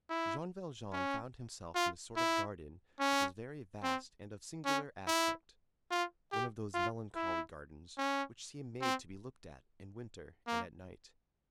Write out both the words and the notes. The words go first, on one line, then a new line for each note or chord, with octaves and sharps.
Jean Valjean found himself in a sort of garden which was very vast and of singular aspect; one of those melancholy gardens which seem made to be looked at in winter and at night.
E4
C#4
F4
E4
C#4
C4
C#4
E4
F4
G4
F4
E4
C#4
C4
A#3